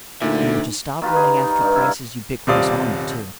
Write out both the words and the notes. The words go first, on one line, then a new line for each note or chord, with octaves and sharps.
We were to stop running after Price's ubiquitous army too.
D2 A#2 D3 D#4 E5
D#3 F4 G4 B4
G#4
D#4
G2
E4 F4
D#1 C3 C5 D5 F5 D#6